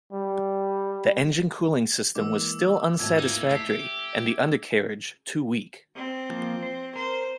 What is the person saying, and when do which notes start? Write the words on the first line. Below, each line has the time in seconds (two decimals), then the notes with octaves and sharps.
The engine cooling system was still unsatisfactory and the undercarriage too weak.
0.13 G3
2.15 E3 G#3 A#3 D6 E6
2.99 G#1 F3 F#3 A3 E6 G#6
3.19 A#3 D#4 E4 F5
3.51 A3 G4 B6 C7
5.96 C4
6.30 F3 A#3 F4
6.63 C5
6.96 A#4 C5